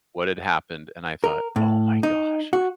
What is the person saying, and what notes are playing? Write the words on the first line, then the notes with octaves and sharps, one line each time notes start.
what had happened, and I thought, "Oh my gosh."
A#4
A2
D#4
F#4